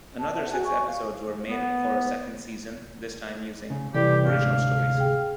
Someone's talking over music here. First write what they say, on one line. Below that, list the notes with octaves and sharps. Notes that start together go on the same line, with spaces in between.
Another six episodes were made for a second season, this time using original stories.
D5 A5
C5 E5 F#5 A5
F#4 G#4 G#5 F#6
G#5 C#6
F5
B3
C#3
C2 C3 E3 G4 A4 D5
D2 G#2 D4 F5
G#4 G5